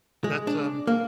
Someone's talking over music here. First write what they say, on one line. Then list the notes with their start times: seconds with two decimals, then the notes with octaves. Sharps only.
That's, um
0.24 G#3
0.47 D4
0.87 A#3